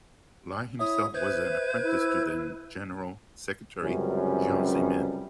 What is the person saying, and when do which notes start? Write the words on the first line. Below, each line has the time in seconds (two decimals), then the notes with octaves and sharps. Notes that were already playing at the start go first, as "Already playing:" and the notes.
Lai himself was an apprentice to then General secretary Jiang Zemin.
0.79 E4 C#5 E5 D#6
1.14 B4 C5 E5 G6 G#6
1.82 E4
3.83 C#2 F#2 C3 G3 C#4